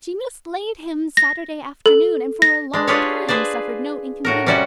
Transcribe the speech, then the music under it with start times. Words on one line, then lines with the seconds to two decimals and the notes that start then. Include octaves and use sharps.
She mislaid him Saturday afternoon--and for a long time suffered no inconvenience.
1.17 A#6
1.86 A4
2.42 A#6
2.73 G#3 D4
2.87 D4 F4 G4 G#4 B4 C#5
3.28 G#4 B4 C5 D5
4.25 A2 F#4 A#4
4.46 C3 G3 C#4 F#4 D5 F#5